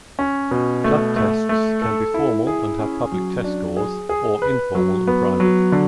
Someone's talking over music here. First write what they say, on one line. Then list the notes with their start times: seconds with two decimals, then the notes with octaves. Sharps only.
Plugtests can be formal and have public test scores or informal and private.
0.19 C#4
0.51 B2
0.84 A3
1.16 A3
1.49 A3
1.82 A4
2.14 E4
2.47 G#4
2.79 C#4
3.12 F#3
3.44 D4
3.77 G#4
4.09 G#4
4.42 B4
4.75 F#3
5.07 B3
5.40 F#3
5.72 D3